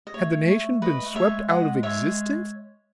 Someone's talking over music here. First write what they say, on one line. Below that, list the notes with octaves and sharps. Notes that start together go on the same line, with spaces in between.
Had the nation been swept out of existence?
D#5
A3 C#5
A3
A3 B4 D#5
A3
A3 C#5 E5
G#3
D#5 F#5
C#5 E5